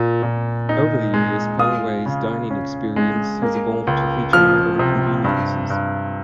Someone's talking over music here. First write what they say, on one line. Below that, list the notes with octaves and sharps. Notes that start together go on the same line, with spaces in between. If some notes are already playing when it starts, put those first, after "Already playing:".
Over the years, Pei Wei's dining experience has evolved to feature modern conveniences.
Already playing: A#2
A#2
D#4
G#3
F4 D#6
C#3
C#4
G#3
A#3
C#2
F3 F6
C3
G2
G2